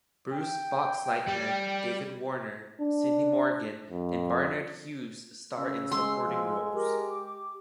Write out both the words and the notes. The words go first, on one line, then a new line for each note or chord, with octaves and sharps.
Bruce Boxleitner, David Warner, Cindy Morgan, and Barnard Hughes star in supporting roles.
G5
G3
D4
F2
C#3 E6
G#3 C6
F3
G4 A#4
D6